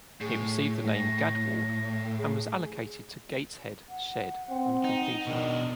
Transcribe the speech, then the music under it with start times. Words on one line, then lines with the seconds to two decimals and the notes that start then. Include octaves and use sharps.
It received the name "Gadwall", and was allocated to Gateshead shed on completion.
0.21 A2 G#4
0.87 A#6
2.18 G#4
3.90 F#5
4.50 C4
4.84 D#4
5.27 B2 D#3 D4